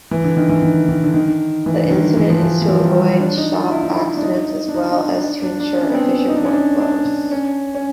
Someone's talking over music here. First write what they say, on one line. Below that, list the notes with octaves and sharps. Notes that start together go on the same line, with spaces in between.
The intent is to avoid shop-accidents as well as to ensure efficient work flows.
E3
D3
D#3
E3
D#3
D#3
D3
D#3
E3
D3
D#3
E3
F3
E3
E3
F3
G3
D4
D#4
F4
E4
D#4
E4
D4
D#4
D4
D#4
D#4
D4
D4
D4
C#4
B3
C4
C#4
D#4
D4
C#4
D4
D4
C#4
C#4